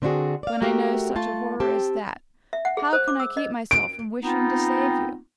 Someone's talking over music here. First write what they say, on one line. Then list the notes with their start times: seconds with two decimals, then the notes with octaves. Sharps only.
When I know such a horror as that, how can I keep myself from wishing to save you?
0.02 D3 C4 D4 F4 F#4 G#4
0.43 D5 F5
0.62 A3 F#4 G4 A#4
1.16 A3 F4 A5
1.60 C4 G4 A5
2.53 E5
2.65 F#5
2.77 G#4
2.93 C5
3.08 D6
3.20 E6
3.37 D#5
3.71 D7
4.21 B3 C4 D#4 F4